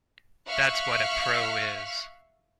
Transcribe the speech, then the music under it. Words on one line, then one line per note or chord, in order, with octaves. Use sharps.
That's what a pro is.
E5 F5 C#6 F6 F#6 B6